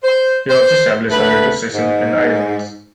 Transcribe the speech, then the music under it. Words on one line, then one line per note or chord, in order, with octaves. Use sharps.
He also established a radio station in the islands.
C5
C5
D2 A3 B4
G#2